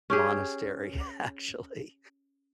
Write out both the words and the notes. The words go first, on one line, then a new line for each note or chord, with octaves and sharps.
monastery, actually.
C#4 G4 G#4